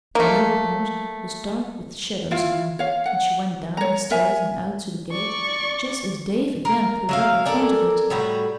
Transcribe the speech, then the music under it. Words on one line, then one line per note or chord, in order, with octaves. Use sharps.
The millpond was dark with shadows now, and she went down the stairs and out to the gate just as Dave again pulled up in front of it.
A3 A#3
E4 F4 F5
C#5 F5
F#5
C#5 A#5
A#4 C#5 E5 G#5
D5 C#6
A#4
F#3 E4 F5
A4 A#4 D5 G#5
A2 G3 F#4